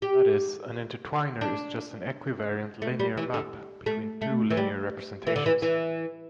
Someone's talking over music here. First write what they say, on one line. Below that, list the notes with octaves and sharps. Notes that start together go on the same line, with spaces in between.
That is, an intertwiner is just an equivariant linear map between two linear representations.
G4
D4
A3
G3
E3
D3
A3
A3
E3
G3
E3
D3
E3
E3